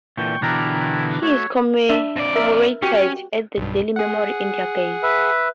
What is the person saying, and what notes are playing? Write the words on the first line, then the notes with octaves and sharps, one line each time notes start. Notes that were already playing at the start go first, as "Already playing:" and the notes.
He is commemorated at the Delhi memorial India Gate.
A#2 D3 E3 G5 C#6
B2 D3 E3 D4 E4 G4 A#4 A#5
A3 F#4 C#5 E5
D4 E5
F2 D5
A#4 E5
C#4 F#4 G4
B1 G2
G#4 F#5
B4 E5